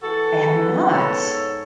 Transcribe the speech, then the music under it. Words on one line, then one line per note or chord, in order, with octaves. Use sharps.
I have not.
E3 F#4 A4
G#3
B3
G#2 A4 C#5